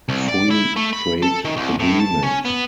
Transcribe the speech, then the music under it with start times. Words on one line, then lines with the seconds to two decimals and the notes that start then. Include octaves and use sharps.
Free Trade Agreement.
0.09 C2
0.29 D5
0.51 E4
0.76 A3
0.93 B5
1.22 A4
1.45 D#3
1.56 C2
1.79 A2
2.00 A5
2.23 C#4
2.45 B3